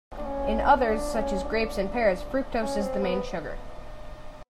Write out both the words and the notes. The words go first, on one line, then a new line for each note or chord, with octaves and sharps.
In others, such as grapes and pears, fructose is the main sugar.
D4
C#4
C#4
D4
C#4
D4
C#4
C4
B3